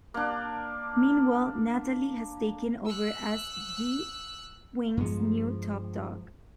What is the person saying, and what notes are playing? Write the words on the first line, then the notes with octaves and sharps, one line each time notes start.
Meanwhile, Natalie has taken over as G-Wing's new Top Dog.
A#3 D4
E6 F#6
G2 F3 G#3 B3